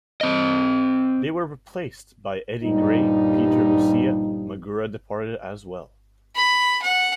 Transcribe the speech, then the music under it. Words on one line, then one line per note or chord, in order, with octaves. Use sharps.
They were replaced by Eddie Gray and Peter Lucia; Magura departed as well.
C4 D#5
G2 A#2 F3 G3 D#4
B5
F#5